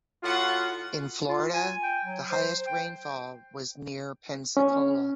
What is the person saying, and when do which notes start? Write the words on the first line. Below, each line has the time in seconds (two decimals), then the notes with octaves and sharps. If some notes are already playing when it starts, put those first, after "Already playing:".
In Florida, the highest rainfall was near Pensacola.
0.24 A2 F4 F#4 F#5
1.29 F4
1.53 G#5
1.83 G5
2.05 F#3
2.31 C5
2.66 G5
4.57 C#4